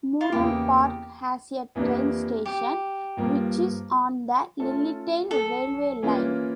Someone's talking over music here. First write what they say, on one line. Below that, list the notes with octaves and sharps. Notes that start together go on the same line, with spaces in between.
Mooroolbark has a train station which is on the Lilydale railway line.
F4
E2 C#3 E3 A#3 G4
F2 E3 A#3 D4 G4
G4
G2 F3 A#3
A3 C#4 F4 A4
A4
E3 A#3 C#4 F4